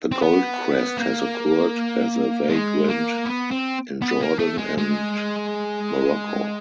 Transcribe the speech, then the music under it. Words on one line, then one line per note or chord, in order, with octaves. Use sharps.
The goldcrest has occurred as a vagrant in Jordan and Morocco.
C4
B3
A#3
G#3
A#3
B3
C4
B3
A#3
A3
G#3
G#3